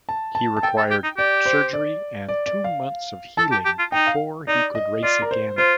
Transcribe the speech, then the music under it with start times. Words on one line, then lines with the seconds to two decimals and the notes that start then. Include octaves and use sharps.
He required surgery and two months of healing before he could race again.
0.09 A5
0.35 A5
0.57 A5
0.63 A4 G5
0.77 A4
0.90 G4
1.04 D#4
1.17 G4 D5
1.46 C5
1.73 D5
2.28 D5
2.46 D5
2.64 F5
3.37 A4 A5
3.52 G4
3.65 G4
3.79 F4
3.92 D#4 G5
4.07 F5
4.47 D#4 D5
4.75 D#5
5.03 F4 D5
5.22 A#4
5.31 C5
5.58 F4 C5